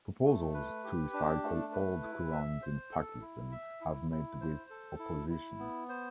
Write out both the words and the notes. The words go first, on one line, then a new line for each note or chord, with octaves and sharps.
Proposals to recycle old Qurans in Pakistan have met with opposition.
A3
B4
G4
D4
A3
B4
E4
E5
C5
A4
E4
E5
E4
E4
C5
A4
E4
E4
B3
C5